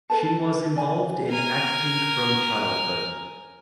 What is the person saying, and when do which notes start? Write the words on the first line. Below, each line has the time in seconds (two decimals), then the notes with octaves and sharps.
She was involved in acting from childhood.
0.10 A4 B4 A5
0.76 D5 G#5 A5 B5
1.29 A#4 G#5